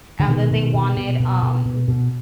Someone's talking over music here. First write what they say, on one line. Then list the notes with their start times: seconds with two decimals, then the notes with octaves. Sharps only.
and then they wanted, um,
0.20 D3
0.28 B2 D#3
0.51 B2
0.74 B2
0.97 B2
1.20 B2
1.43 B2
1.66 B2
1.88 B2